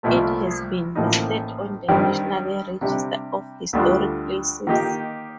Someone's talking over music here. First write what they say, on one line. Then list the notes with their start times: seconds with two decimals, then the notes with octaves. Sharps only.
It has been listed on the National Register of Historic Places.
0.03 C2 A#2 F3 A3
0.95 A1 A2 F3 A#3 D#4
1.88 G2 D#3 G3 C4
2.81 C3 G3 D4 G4
3.73 D2 D3 G3 D4 F4
4.67 D#3 A#3 D#4 G4